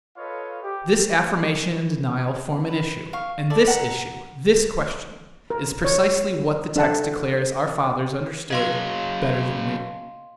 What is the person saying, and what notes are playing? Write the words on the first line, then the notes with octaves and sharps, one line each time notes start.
This affirmation and denial form an issue, and this issue--this question is precisely what the text declares our fathers understood "better than we."
F4 A4 B4 C#5 D#5 F5
G4
B4
F5 C#6
E4 A4 D5
F#5 A#5
A#4
C#5
D4 A4 F#5 A5
C#3 F#3 D#5 F5 C6